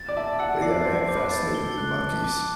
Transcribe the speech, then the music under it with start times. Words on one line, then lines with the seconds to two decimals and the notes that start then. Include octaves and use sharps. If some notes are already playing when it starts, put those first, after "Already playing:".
but, yeah, I am fascinated with monkeys.
Already playing: A6
0.09 D5
0.17 E5 A5
0.39 F#5 E6
0.62 D5 C7
0.85 C5 C7
1.08 C5 D6
1.16 B4
1.31 A6
1.47 A4
1.55 G7
1.78 F#6
2.01 A5
2.24 D6